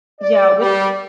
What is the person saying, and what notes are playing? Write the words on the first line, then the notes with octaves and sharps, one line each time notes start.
yeah, with
D5
G3